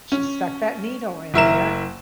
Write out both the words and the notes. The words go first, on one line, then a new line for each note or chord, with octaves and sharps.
she stuck that needle in there.
C#4
F#1 E4 A#4 E7